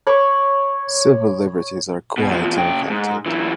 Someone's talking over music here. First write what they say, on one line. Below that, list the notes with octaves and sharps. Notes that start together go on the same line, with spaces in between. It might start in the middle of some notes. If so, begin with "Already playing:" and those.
Civil liberties are quite unaffected.
C#5 B5 C#6 D6
B2
E2 F3
C#3 G5
E2 G#2
F#2 E3